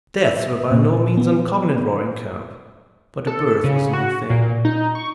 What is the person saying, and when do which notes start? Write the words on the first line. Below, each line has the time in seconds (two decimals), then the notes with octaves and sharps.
Deaths were by no means uncommon in Roaring Camp, but a birth was a new thing.
0.24 E5
0.71 A#2
1.17 B3
3.27 A4
3.64 C#3
3.93 F#4
4.30 A#2
4.65 D#4
4.95 C#6